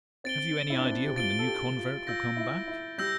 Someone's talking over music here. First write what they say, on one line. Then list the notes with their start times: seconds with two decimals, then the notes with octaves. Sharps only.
Have you any idea when the new convert will come back?
0.24 C4 A6 D7 G7
0.70 E4
0.78 D4
0.84 C4
0.91 D4
1.06 G4
1.15 F4 A6 D7 G7
1.39 A4
1.47 G4
1.77 F4
2.07 F4 E6 G6 A#6
2.37 E4
2.68 E4
2.98 G3 E6 G6 A#6